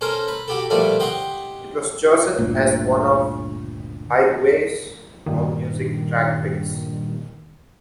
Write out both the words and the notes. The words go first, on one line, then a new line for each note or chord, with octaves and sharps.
It was chosen as one of "By the Way"'s "Allmusic Track Picks".
C#4 A4 A#4 C5 A#5
B4
F#4 G4 A4
A#2 F3 G3 A3 D4 A4
G4 D#5 F#5 C6 C#6
G1 D2 A#2
G2 A#2 D#3